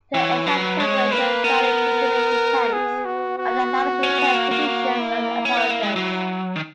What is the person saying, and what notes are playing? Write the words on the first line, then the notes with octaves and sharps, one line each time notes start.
The exact temperature value determined depends on the laboratory test conditions and apparatus.
E3 C#5
F#3 B4
G#3 C#5
A#3 B4
B3 A#4
G#4
F#4
F#4
C#4
B3
A#3
A#3
F#4
E4
C#4
B3
A#3
G#3
F#3
D#3